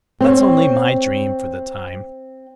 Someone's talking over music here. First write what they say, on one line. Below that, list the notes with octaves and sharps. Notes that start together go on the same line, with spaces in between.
That's only my dream for the time.
C4 C#5